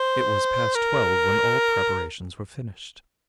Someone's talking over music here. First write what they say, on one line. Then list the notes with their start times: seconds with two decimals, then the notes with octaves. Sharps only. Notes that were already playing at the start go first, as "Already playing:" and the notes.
It was past twelve when all preparations were finished.
Already playing: C5
0.75 A#4